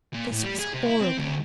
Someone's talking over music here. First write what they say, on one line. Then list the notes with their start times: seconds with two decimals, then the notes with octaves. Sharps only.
This was horrible.
0.14 A#2
0.32 A2
0.43 G3
0.59 G#4
0.74 C3
0.86 E4
1.01 C4
1.18 D2